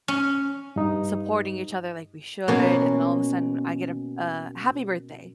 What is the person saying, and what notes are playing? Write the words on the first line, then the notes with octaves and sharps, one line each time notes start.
supporting each other like we should, and then all of a sudden I get a a happy birthday.
C#4
G2 D#4
B2 A#3 C#4